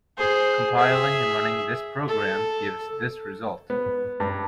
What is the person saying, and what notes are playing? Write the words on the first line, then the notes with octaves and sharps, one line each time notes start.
Compiling and running this program gives this result.
G#4 C5
G#4 E5
A4
B3
G2